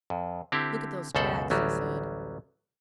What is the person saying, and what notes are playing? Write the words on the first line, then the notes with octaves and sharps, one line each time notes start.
"Look at those tracks," he said.
F2
D3 C4 E4 G4
C#2 F#2 B2 A4 C5 F#5
A1 D2 F#3 G3